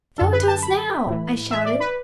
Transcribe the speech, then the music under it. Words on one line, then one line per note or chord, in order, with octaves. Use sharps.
"Show it to us now!" I shouted.
F#2 D3 A4
B4
A5
B5
A2 E3
E5
D5
B4